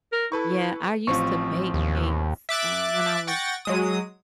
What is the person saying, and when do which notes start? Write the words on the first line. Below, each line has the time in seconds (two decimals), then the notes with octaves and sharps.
Yeah, I used to bake cakes, um, when I was
0.13 A#4
0.32 E4 A4 B4 C#6
1.07 A1 F3 C4 F4 C#6
1.74 D#2
2.49 E5 D6 F#6 A6
3.27 F#5 G5 C#6 A6 A#6
3.65 F#3 G#3 D#6